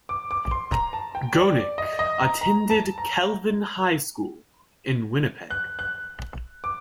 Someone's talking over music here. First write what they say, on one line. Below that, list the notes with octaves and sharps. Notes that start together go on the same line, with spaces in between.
Gonick attended Kelvin high school in Winnipeg.
D6
D6
C6
A#5
A5
G5
D5
D5
D#5
D#5
A#5
A#5
A5
A#5
F#6
F#6
D6